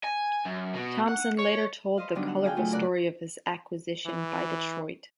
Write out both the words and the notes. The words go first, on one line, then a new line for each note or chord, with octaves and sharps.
Thompson later told the colorful story of his acquisition by Detroit.
G#5
F#2
B2
F#5
C#5
B4 C5 D#5 F5
D3 F#3 G3 B3 D4 D#4
F#5
F#4 G#4 F5 G5
F#3 A3 F4 G#4
A2 C#3 A#4 D5 F#5 F#6
E3